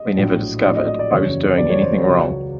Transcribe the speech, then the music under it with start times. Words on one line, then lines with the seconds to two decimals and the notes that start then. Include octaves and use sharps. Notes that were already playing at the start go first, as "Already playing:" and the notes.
We never discovered I was doing anything wrong.
Already playing: D#5
0.16 A#1 A2 F#3
0.64 A#1 A2 F#3 D5
0.75 D#5
0.87 D#5
0.99 D5
1.11 F#1 E2 C#3 F#3 C#5
1.58 F#1 E2 C#3 F#3 D5
1.70 C#5
1.82 C5
1.94 C#5
2.06 C#2 C#3 F#3